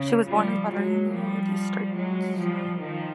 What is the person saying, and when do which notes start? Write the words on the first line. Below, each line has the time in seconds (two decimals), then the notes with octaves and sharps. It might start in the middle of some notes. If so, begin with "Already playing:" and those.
She was born in Baringo District.
Already playing: C#3
0.27 F3 G3
0.70 F#3 G#3
1.12 F3 G3
1.97 F#3 G#3
2.39 F3 G3
2.81 D#3 F3